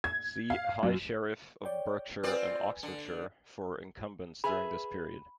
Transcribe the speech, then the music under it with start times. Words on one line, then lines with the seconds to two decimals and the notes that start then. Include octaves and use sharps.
See High Sheriff of Berkshire and Oxfordshire for incumbents during this period.
0.04 G#6
0.50 F5
0.83 F#2
1.65 C#5 D5 G5
2.23 C4 F4 B4 D5 G#5
2.83 D3
4.44 G#4 B4 E5 B5